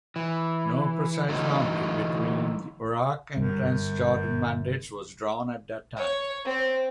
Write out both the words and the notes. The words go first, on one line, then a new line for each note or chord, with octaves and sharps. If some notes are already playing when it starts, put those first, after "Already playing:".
No precise boundary between the Iraq and Transjordan mandates was drawn at that time.
E3
D3 E3 F#3 A3 D#4
G1 F#2 G3
C#5
C4